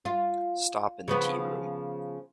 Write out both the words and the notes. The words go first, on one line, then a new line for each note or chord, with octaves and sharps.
Stop in the tea-room.
F4
C#3 F3 B3